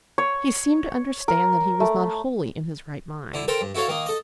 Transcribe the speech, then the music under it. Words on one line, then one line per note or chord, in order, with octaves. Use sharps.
He seemed to understand that he was not wholly in his right mind.
C#5
A#4
A3
D3 E4
A4 A#4 C5 G5
G2
E4 F#4 A4 C#5 F5
D#3 A#3 D#4
A4 D#5